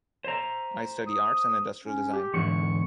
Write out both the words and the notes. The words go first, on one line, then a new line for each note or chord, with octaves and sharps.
I study arts and industrial design.
C5 A#5
D#6
C#4
G4
E2 G#2 D3 C#6